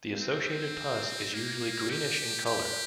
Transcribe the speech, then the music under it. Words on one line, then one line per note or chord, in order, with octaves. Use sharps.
The associated pus is usually greenish in color.
C4
A#3
G4
G4